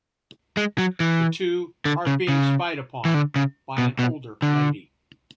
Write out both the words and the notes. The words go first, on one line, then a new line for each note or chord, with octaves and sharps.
The two are being spied upon by an older lady.
G#3
F#3
E3
D3
C#3
C#3
E3
D3
C#3
B2
B2
D3